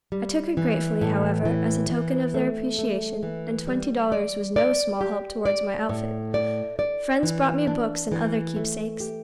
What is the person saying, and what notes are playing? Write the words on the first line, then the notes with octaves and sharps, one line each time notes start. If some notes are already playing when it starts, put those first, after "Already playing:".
I took it gratefully, however, as a token of their appreciation, and twenty dollars was no small help toward my outfit. Friends brought me books and other keepsakes.
G3
E3
A2
E3
E3
A3
A3
E3
G3
D5
D5
G4
D5
A2
D5
D5
E3
D4
E3
A3
G4